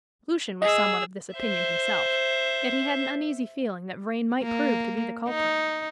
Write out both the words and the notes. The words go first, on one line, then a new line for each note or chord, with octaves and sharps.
Lucian was somewhat of this opinion himself, yet he had an uneasy feeling that Vrain might prove to be the culprit.
G#4 D#5 E6
C5 E5
A#3
D#4